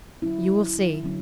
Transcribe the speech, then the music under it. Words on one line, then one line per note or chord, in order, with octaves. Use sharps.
"You will see."
D3 F#3 C#4 E4
D3 F#3 C#4